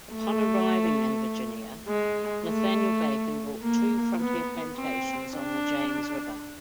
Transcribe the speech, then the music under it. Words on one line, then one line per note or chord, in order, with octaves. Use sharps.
Upon arriving in Virginia, Nathaniel Bacon bought two frontier plantations on the James River.
A3
G#3
A3
A#3
B3
C4
D4